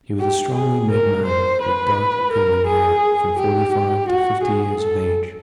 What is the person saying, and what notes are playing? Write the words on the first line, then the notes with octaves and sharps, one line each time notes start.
He was a strongly made man with dark curling hair, from forty-five to fifty years of age.
G4
G#4
A#4
C5
B4
A#4
G#4
G4
F#4
G#4
A4